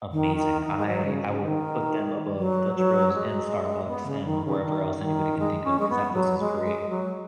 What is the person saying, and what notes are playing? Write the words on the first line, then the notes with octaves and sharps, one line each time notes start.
Amazing. I I will put them above Dutch Bros and Starbucks and wherever else anybody can think of, 'cause that place is great.
D#3
D#3
D#3
G#3
F#3
C#3
C#3
D#3
F#3
F#3
G#3
B3
C#3
D#3
C#3
D#3
D#3
G#3
C#4
G#3
B3
F#3
G#3
G#3
F#3